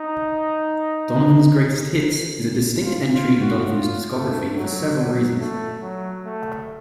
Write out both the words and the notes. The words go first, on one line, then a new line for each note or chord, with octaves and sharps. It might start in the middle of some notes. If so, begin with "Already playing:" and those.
"Donovan's Greatest Hits" is a distinct entry in Donovan's discography for several reasons.
Already playing: D#4
F4
F4
F#4
F4
A3
F#3
F#3
A3
F#3
A3